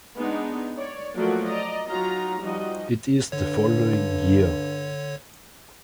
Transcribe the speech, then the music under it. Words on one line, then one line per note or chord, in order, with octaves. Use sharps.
It is the following year.
G#3 B3 D4 D#4
C#5 D5
F3 F#3 A3 A#3 F#4 D5
D5 D#5 A#5
F#3 D#4 F4 A#5
F3 G3 D#4 F#4 D#5
G2 D3 C#5